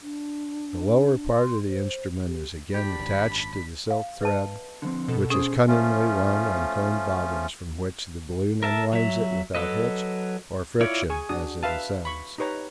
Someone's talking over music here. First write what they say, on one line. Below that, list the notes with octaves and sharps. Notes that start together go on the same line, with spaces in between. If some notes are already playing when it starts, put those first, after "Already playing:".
The lower part of the instrument is again attached to the silk thread, which is cunningly wound on coned bobbins from which the balloon unwinds it without hitch or friction as it ascends.
D4
C6
C5
G4
D4 G4 B5 B6
G#1 F#2
F5
B4 D#5 A5
D3 F3 C4
B2 A4
C#4 G#4 C5 D#6
F3 A3 C#4 F4
A#4 E5 A5
F#3 E5
F#3 A4 B4 D#5
E4 F4 C#5 D5
G#4 G#5 C#6
D4 F#4 D#6
B4 E5 F5 A5
B5 C#6
D#4 G4 B4 C#5 A#5